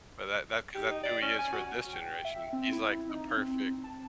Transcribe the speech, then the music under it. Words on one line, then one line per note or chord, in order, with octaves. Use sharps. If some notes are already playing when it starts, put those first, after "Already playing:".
but that that 'cause that's who he is for this generation, he's, like, the perfect
G4
D#4
D5
C#4
G#5
F#4
G5
E5
C4
E4
D#4
C4
A5